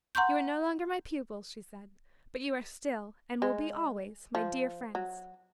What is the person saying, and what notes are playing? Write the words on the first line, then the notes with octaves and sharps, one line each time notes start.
"You are no longer my pupils," she said, "but you are still, and will be always, my dear friends."
F#5 A#5 C6 C#6 G6
G#3
F3
F#3